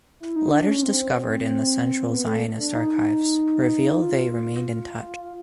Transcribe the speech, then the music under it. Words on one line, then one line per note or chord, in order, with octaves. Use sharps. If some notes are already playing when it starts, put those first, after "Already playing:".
Letters discovered in the Central Zionist Archives reveal that they remained in touch.
E4
D#4
D4
C#4
C4
B3
A3
D4
D#4
F4